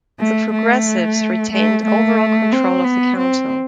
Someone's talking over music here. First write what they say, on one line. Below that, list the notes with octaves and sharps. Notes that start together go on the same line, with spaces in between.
The Progressives retained overall control of the council.
A3
A3
A3
A3
C4
B3
C4